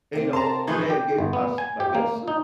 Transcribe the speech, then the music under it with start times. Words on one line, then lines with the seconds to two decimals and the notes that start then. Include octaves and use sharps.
you know, and gave 'em my s my best suit
0.13 C3 A#3 C4
0.33 A5 A#5 C6 F7
0.67 A2 E3 F3 D#4 G#4 B4
0.90 G4
1.18 G1
1.33 B3
1.58 G#5
1.80 G4
1.95 A#3
2.28 D#4